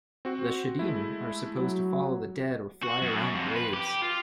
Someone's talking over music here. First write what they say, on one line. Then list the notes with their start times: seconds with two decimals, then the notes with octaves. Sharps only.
The "shedim" are supposed to follow the dead or fly around graves.
0.25 C4 F#4
0.79 G#3 A3 E4
1.55 F#3
2.83 F#4
3.02 F#2
3.35 F2
3.56 B4
3.73 G4
4.02 F4